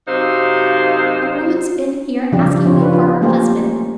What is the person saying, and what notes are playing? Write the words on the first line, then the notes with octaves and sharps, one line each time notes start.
A woman's been here asking me for her husband.
F#2 C3 D#4 C5 F5
C#3 F3 G3 C4 D4 G4
C#3 F3 C4 F4 C#5
D4 B4
F4
A3 A#3 C#4 G4 A4 C5
A3 C#4